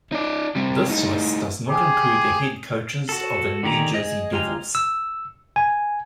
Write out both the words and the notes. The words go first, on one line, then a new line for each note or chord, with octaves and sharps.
This list does not include the head coaches of the New Jersey Devils.
D#4 D5
C3 G3
A2 D#4
G4 G#4
F#4 A4
D3 D#3 G4 G#4 A#5
G#4 D#5
G#3 F4 G4 G#5 A#5
E6
G#5